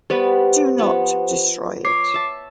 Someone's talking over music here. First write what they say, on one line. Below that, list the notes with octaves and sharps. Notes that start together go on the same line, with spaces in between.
Do not destroy it.
G3 B3 G4 B4 C5
F3 B3 F#5
C#5 D6 C7
E5 A5